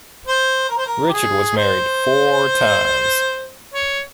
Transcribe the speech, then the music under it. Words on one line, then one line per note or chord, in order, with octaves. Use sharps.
Richard was married four times.
C5
A#4
C5
A#4
G4
G#4
C5
C#5